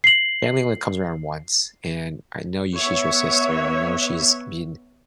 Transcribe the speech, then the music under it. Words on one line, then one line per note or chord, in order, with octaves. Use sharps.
family only comes around once and I know y she's your sister, I know she's been
C7 F#7
B3 C#5 E5